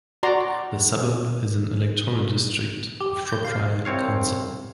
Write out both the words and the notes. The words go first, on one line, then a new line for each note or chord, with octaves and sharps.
The suburb is an electoral district of Shropshire Council.
F#4 D5 A#5 C6
G4
G6
F5
C2 C4 C#5 F5